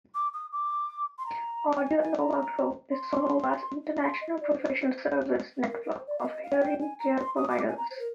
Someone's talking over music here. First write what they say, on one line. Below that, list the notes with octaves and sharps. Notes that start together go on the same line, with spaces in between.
AudioNova Group is Sonova's international professional service network of hearing care providers.
D6
D#6
D6
C6
A#5
G5
G#5
G#5
A#5
C6
C6
D#5
D5
C5
A#4
A#4
C5
D5
F5
D#5
F5
G#5
G5
G#5
A#5
C6
D#6
D6
G#5
A#5
C5
A#4